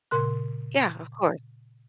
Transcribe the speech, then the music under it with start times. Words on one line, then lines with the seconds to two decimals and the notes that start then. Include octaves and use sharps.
Yeah, of course.
0.11 A#2 C#3 A#4 C6 F#6